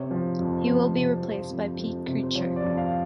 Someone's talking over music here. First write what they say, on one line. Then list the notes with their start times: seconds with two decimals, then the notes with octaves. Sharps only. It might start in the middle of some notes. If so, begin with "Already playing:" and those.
He will be replaced by Pete Kircher.
Already playing: C3 C#5
0.11 F3
0.39 F2
0.67 F2 C5
0.94 C3
1.23 F3
1.51 F2
1.79 F2
2.08 C3
2.23 C5
2.35 F3 C#5
2.56 D5
2.64 F2
2.77 F5